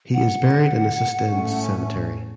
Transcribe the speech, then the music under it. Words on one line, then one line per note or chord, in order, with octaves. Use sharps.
He is buried in Assistens Cemetery.
F#5
A2 A3 C#4